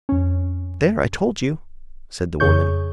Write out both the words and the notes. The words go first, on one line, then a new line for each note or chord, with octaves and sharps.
"There, I told you!" said the woman.
F2 C#4
F2 C#3 G#4 C#5 C#6 G6